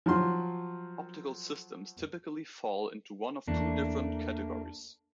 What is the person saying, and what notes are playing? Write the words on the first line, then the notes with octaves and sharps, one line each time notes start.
Optical systems typically fall into one of two different categories.
F3 F#3 C6
E2 E3 A3 A#3 D4